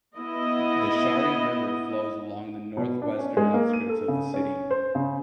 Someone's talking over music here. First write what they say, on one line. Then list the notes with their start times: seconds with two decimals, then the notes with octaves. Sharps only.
The Shari River flows along the northwestern outskirts of the city.
0.17 B3 E4 D#5
2.77 B2
3.02 D4
3.18 C#4
3.37 G#3
3.54 A#3
3.73 D#7
3.89 A4
4.08 C#3
4.34 C#4
4.71 C5
4.95 C#3